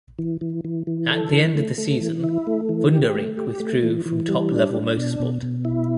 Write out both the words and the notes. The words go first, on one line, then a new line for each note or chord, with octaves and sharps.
At the end of the season, Wunderink withdrew from top-level motorsport.
E3
E3
E3
E3
A4
E3
A3
A3
E3
E4
A3
E3
G4
A3
G4
A3
E3
E3
G3
D4
D4
B2
B2
B2
E4